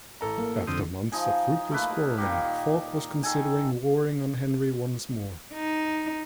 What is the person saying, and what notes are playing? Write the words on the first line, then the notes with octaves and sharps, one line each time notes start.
After months of fruitless quarreling Fulk was considering warring on Henry once more.
A1 A4 A#5
A#3
F2 D3 C4 D#6
F3 D#4 G#5
A3 A#3 B4
A#2 D#3 G4
D#3 A4 G#5
D#4